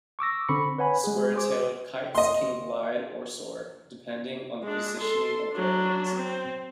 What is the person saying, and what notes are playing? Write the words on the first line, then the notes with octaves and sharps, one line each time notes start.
Square-tailed kites can glide or soar, depending on the positioning of their wings.
C#6 D6 E6 A#6
D3 C4 B5 C#6 C#7
B4 C#5 F#5 G#5 B5
G#3 G#4
G#4 C5 D6
D#5 C6
G#3 D4
A4 C6
F#3 D4
C4